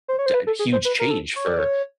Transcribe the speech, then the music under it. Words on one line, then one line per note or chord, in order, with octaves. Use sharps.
d huge change for
C5
C#5
C5
B4
A4
G#4
C5
B4
A#4
A4
C#5
D5
C#5